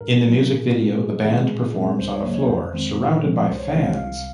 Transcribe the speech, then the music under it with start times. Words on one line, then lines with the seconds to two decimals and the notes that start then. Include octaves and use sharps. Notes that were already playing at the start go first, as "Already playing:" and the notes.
In the music video, the band performs on a floor surrounded by fans.
0.01 G#2 A#4
0.26 F#3 C4
0.50 A#2
0.75 G#3 C4
0.99 G#2 G#4
1.24 D#3 G#3 C4
1.49 A#2
1.74 G#3 C4
1.99 C#2 C5
2.10 C#5
2.23 C#3 F#3 A#3 D#5
2.36 C#5
2.47 F2 C5
2.72 D#3 G#3 C4
2.97 A#2
3.22 F3 G#3 C4
3.46 C2 C5
3.58 C#5
3.71 C3 D#3 G#3 C4 D#5
3.83 F5
3.95 C2 F5